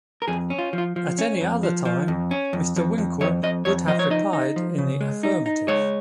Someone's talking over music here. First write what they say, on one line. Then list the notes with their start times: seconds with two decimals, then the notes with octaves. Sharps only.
At any other time, Mr. Winkle would have replied in the affirmative.
0.22 A#4
0.28 F2 G#4
0.50 C#4
0.58 F4
0.73 F3
0.78 F4
0.96 F3
1.19 C#4
1.41 F2
1.63 F3
1.85 F3
2.08 F2
2.31 C#4
2.53 F2
2.76 F2
2.98 F2
3.21 F2 C#5
3.43 F2 D#5
3.65 F2 C#5
3.88 F3 D#5
3.99 C#5
4.10 D#4 D#5
4.33 D#4
4.56 F3
4.78 C#3
5.01 G#3
5.23 D#4
5.46 D#4
5.68 G#3 C#5